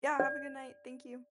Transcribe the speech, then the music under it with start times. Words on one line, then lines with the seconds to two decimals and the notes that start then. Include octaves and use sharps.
Yeah, have a good night. Thank you.
0.20 D5